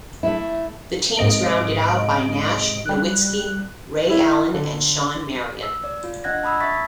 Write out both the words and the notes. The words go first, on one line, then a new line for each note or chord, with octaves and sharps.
The team is rounded out by Nash, Nowitzki, Ray Allen, and Shawn Marion.
A3 E4
G#2 C3 D#5 D7
G3 F#6
E4
D3
E6
D5
F4
D4 D#5 F#5 F#6 G#6 A#6
A5 B5 D#6 E6 G#6
E5 C#6 A6 B6